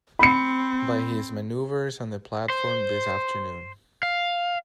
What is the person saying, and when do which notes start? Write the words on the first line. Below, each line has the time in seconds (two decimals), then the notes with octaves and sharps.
By his manoeuvres on the platform this afternoon.
0.19 C4 B5 C#7
2.50 C5
4.03 F5